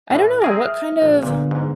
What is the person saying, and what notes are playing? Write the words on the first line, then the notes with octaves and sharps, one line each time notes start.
I don't know, what kind of
A2
C4 G#4 A#4
E5 D#6 F6
A#1
C2 A#2 D3 B3
G#2